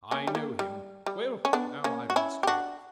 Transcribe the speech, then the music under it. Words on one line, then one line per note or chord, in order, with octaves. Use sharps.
I know him. Well, now, I must be off.'
A#3 C#4
G3
A#3
G3
G3
C#4
B3 D4
A#3 C#4
F#4
C#4 E4
G4
D4 F#4